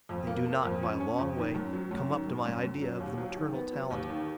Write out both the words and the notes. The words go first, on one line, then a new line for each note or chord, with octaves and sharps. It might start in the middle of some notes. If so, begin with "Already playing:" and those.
They do not by a long way come up to my idea of the maternal talent.
F2
A#3
A#3
F2
C#4
C#4
F2
D#3
F#2
F#3
F#2
D#3
F#2
F#2
F#2
F#3
D#2
F#3
D#3
B3
F#3
D#2
D#3